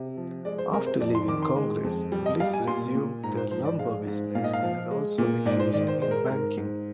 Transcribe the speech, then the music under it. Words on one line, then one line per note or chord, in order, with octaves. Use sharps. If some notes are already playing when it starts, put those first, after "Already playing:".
After leaving Congress, Bliss resumed the lumber business and also engaged in banking.
Already playing: C3
F3
G#3 D5
C5
C3 A#4
C5
F2 D5
C6
D#3 D6
C6
G#3
F2
G3
D#5
G3 F5
G#5
A#2 C6
A#2
G#2 A#5
C5
F3 C5
D5
G#3 F5
G#2
A#2 F5
D#5
F5
F3
G#3
A#2
G#2 D5
C5
D#3 D5
C5
G#3 C5
A#4
G#2 A#4
G#2